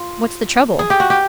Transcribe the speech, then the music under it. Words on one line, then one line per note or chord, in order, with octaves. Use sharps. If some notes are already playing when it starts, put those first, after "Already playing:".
'What's the trouble?
Already playing: F4
G#4
G4
F#4
G4